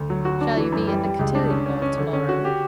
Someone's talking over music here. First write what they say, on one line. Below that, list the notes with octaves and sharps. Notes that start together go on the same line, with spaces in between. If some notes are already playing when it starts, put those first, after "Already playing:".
"Shall you be at the cotillion ball tomorrow?"
Already playing: D2
F#3
F#4
D4
E3
F#2
G3
G3
C#2
D4
C#4
C#4
C#4
D3
C#4
F#4
G4